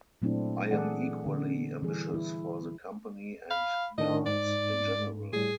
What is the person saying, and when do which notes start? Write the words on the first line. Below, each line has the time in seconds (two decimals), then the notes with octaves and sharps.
I am equally ambitious for the Company and dance in general.
0.22 A#2 F#3 A3 C4 D4 E4
0.71 E3 A3 G#4 A4 D5 F#5
1.24 D3 B3
1.83 E3 G3 G#4
2.14 E4
3.51 F5 B5
3.98 A2 D#3 D4 D#5
4.26 G#2 D5
5.33 A2 G3 G#4